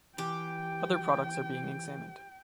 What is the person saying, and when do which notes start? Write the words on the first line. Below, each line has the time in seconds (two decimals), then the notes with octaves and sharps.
Other products are being examined.
0.18 E3 G4 G5